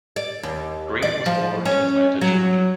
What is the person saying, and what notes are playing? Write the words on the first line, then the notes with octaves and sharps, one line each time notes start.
Green was born in Atlanta, Georgia.
D5
D#2
D5
F3
C#4
F#3